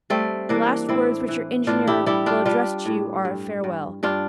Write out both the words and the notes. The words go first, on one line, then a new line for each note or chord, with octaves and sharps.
The last words which your engineer will address to you are a farewell.
G3 A3 C4
E3 A#3 D4
A2 C4 E4
E3
A2 D4 F4
E4 G4
G3 E4 G4
D4 F4
G3 D4 F4
A2
G2
G2
G2 D4 F4